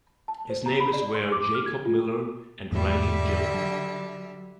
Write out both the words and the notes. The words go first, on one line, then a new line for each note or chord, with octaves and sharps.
His neighbours were Jacob Miller and Ranking Joe.
A5
C5
A#5
B5
D5
C6
D6
F6
G#6
F4
E2 G#2 D3 G3 A3 E5
F#3